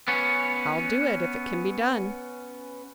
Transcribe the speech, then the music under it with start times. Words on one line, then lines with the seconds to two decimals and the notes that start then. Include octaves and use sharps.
"I'll do it--if it can be done."
0.08 B3 C#4